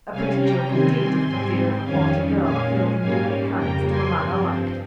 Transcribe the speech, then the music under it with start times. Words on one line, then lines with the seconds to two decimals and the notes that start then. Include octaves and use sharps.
A pretty joke, indeed, if, for fear of a haughty girl, I failed in doing a kindness to a man I liked!
0.11 C3 G3 C#4 F5 G#5
0.40 G5 A#5
0.68 C3 D#3 G3 C4 G#5 C6
0.97 G#5 C6
1.26 G#2 G3 C4 G#5 C6
1.83 F2 D#3 G3 C#4 F5 G#5
2.41 A#2 G#3 C#4 F5 G#5
2.99 G#2 G3 A#3 C#4 F5 G#5
3.57 F2 C#3 G3 A#3 G5 A#5
3.86 G#5 C6
4.14 G2 F3 C4